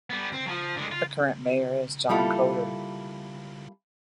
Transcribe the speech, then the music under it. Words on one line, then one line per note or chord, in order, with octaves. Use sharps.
The current mayor is John Coder.
G3 B3
C4
F3 F#3
D3 G#3
F4
G3 A#3 E4 F4 A4